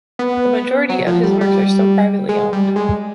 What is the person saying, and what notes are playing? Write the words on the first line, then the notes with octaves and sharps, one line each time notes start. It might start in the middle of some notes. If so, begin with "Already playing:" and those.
The majority of his works are still privately owned.
B3
F#3
F3
G3
G3
G#3
G3
G#3